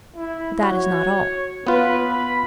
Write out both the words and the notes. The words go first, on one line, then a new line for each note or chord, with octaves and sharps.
But that is not all.
E4
F#4 C#5
B3 F4 B4
B5